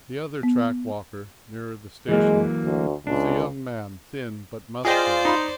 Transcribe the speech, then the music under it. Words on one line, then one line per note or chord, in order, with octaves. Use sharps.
The other track-walker, nearer the station, was a young man, thin, but muscular.
B3
E3 F#3 G#3 A#3
D2
C#2 D4
F4 G#4 C5 D5 D#5 G5
D#4 B5 C6